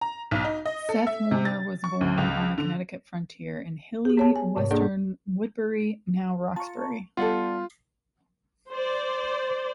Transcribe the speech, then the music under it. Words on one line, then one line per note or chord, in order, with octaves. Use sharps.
Seth Warner was born on the Connecticut frontier in hilly western Woodbury, now Roxbury.
A#5
B1
D#4
D#5
A4
E5
C3
A6
C#6
D2
C#2
D3
G4 G#4
B3 C#5 A5
G#5
G#2 C3 C#5
A#3 D4 G#4 A4 D5 F#5
F4 A5 A#5 C#6
G3 B3 F4 A4 D5 F#5
C5 D5